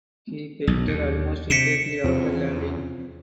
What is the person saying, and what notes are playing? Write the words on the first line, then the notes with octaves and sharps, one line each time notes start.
He fainted almost immediately after landing.
B1
D#2
C3 B6 C#7 E7
E2 C3 F3